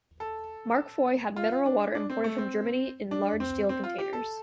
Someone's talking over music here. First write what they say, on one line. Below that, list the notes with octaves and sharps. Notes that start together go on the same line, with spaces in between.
Mark Foy had mineral water imported from Germany in large steel containers.
A4
F4
D4
D4
C4
A3
C4
D4
C4
C4
F4
G4
A4